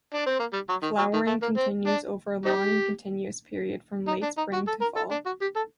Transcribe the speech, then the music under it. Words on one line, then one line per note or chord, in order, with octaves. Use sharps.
Flowering continues over a long and continuous period from late spring to fall.
D4
C4
A#3
G3
F#3
D#3
F#3
D#3
A3
A#3
C4
D4
C4 D#4 G4
D#4
D4
D#4
F#4
A4
A#4
A4
D4
F#4
G4
A4